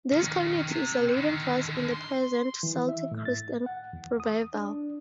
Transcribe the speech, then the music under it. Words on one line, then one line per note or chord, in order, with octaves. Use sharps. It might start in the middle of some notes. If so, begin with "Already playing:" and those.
This community is a leading force in the present Celtic Christian revival.
D#3 C#4
C3
D3 D#3
C6
E3
E5
A2
A6
F#5
E2
D#6
D4